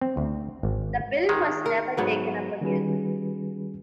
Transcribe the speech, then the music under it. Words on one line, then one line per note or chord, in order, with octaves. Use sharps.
The bill was never taken up again.
C4
D2
G#1
D#3 G#3
A#4
G#2 F#3 B3
D#3 G3 C#4 F#4 G#4 B4